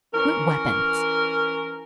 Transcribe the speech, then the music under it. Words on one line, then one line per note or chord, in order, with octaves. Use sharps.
"What weapons?"
E3 C#4 A#4